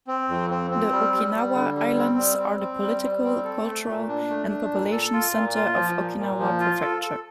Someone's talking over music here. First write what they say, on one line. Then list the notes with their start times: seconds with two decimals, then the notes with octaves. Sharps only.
The Okinawa Islands are the political, cultural and population center of Okinawa Prefecture.
0.07 C4
0.29 F2
0.50 C4
0.71 C4
0.92 G3
1.13 G3
1.34 G3
1.55 D3
1.75 G3
1.97 C4
2.18 G3
2.39 C4
2.60 C4
2.82 G3
3.03 G3
3.24 C4
3.44 A4
3.66 A3
3.87 A#2
4.08 D4
4.29 A3
4.50 D4
4.71 A#2
4.92 A4
5.13 F4
5.34 A#2
5.55 F4
5.76 F3
5.97 A#2
6.18 A#2
6.39 F3
6.60 F4
6.81 A4
7.02 A4